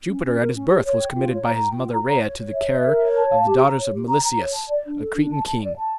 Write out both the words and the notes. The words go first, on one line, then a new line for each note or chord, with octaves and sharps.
Jupiter at his birth was committed by his mother Rhea to the care of the daughters of Melisseus, a Cretan king.
C#4
C#4
A#4
C#4
G4
C#5
G5
F4
C#5
A#5
G5
F4
A#5
C#5
C#5
C#5
E5
E5
A#4
C#5
A5
F5
G4
A#5
C#5
G4
A#5
A#5
C#5
A5
D5
D4
A4
D4
A5
A5
D5
A5